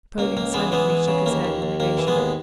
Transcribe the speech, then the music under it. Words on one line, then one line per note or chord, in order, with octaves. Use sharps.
Napoleon silently shook his head in negation.
C#2 A#3
C#2 A#3
E3 G#3 B3
E3 G#3 B3
E3
C#3
D#2 A#3
D#2
D#2
D#2 A#3
E3
G#3 B3
D#2